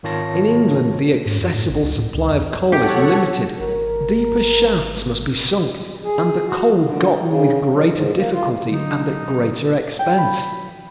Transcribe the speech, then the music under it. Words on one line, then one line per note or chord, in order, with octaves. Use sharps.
In England the accessible supply of coal is limited, deeper shafts must be sunk, and the coal gotten with greater difficulty and at greater expense.
G#1 D#3 F4 C#5 A5 A#6
G#2
F#2
A2
A1
C#2
A2
C#2
F2
F#3 G4 A4 C#5 F#5
G#1 A#4
G#4
F#4
D3
C#3
F#3
G#2
A#3
F4
D3 F#3 D#4
G5
B5